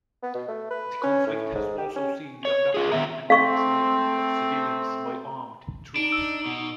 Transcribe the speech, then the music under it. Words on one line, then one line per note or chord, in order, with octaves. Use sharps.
The conflict has also seen the abduction and enslavement of civilians by armed troops.
B3
B2
A3
B4
C#4
A2
G#2
G4
C#4
C#5
F4 G#4
D#3 B3 E5 A#5
A3 C4 F5 C#6
D4 D#4 D7
E6
B2